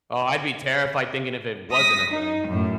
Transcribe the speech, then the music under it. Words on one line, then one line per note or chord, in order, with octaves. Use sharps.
Oh, I'd be terrified thinking if it wasn't a thing.
D#6 A#6 B6
D#4
F#2 A2